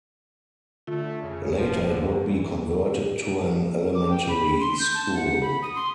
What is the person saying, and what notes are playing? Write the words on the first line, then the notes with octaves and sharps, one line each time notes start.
Later it would be converted to an elementary school.
D3 A3 F4
F2 C#3 C#4
D#1 F3 B4
F#2 D3
D2 E3
D6
G5
B5
C6
G6
A5
F#5
B5
D#6
C6